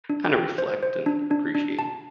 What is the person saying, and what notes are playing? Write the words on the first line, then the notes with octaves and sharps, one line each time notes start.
kind of reflect and appreciate.
D4
G5
C5
C5
D4
D4
D4
A5